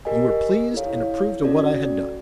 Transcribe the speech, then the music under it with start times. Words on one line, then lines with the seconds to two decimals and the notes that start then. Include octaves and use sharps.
You were pleased and approved of what I had done.
0.05 G4 A#4 D#5 G#5
0.74 E4 A4 C#5 F5
1.42 C#4 F#4 A4 D5